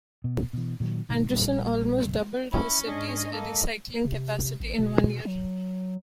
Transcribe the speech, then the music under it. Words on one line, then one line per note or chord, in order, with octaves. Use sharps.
Anderson almost doubled the city's recycling capacity in one year.
B2
B2 E3
A#2 D#3 F#3
G#1 G#2 B2 D#3
A#1 G3
F#1 B1
C#4 E4
G#2 D4 G#4 D#5
A#3 A4
C3
A1
B2
F#3